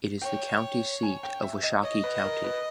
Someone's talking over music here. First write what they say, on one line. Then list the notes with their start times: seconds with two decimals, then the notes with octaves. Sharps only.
It is the county seat of Washakie County.
0.22 C#5 G5
1.03 G#5
1.23 G5
1.43 E5
1.63 D#5
1.83 C#5 D#5
2.04 B4
2.24 A#4
2.44 B4